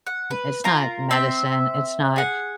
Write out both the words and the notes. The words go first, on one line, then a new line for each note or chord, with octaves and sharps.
it's not medicine, it's not
F#5
B4
F4 A#4 A#5
C4 E5
G#4 F#5